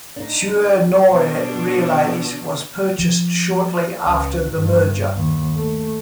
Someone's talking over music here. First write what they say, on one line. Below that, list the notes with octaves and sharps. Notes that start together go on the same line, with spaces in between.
Suir-Nore Relays was purchased shortly after the merger.
D4 D#4
B2 D4
F3
C#2
G2
D#2
A3